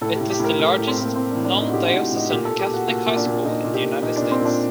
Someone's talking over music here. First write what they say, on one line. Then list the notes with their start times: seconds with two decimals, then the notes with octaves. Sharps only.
It is the largest non-diocesan Catholic high school in the United States.
0.01 A2 A4
0.16 G4
0.21 A2
0.30 G4
0.39 A2 A#4
0.59 A2 A4
0.78 A2
0.88 C4
0.97 A2
1.02 A#3
1.15 A2 C4
1.31 D4
1.35 A2
1.44 D4
1.54 A2 D#4
1.67 F#4
1.73 A2 G4
1.87 F#4
1.93 A2
2.02 F#4
2.12 A2 D#4
2.30 A#2 G4
2.45 A4
2.50 A#2
2.59 G4
2.69 A#2 F#4
2.88 A#2 F#4
3.07 A#2
3.16 D4
3.26 A#2
3.45 A#2 D#4
3.64 A#2
3.74 G4
3.84 A#2
4.02 A#2 D#4
4.17 D4
4.21 A#2
4.31 C4
4.41 A#2 D4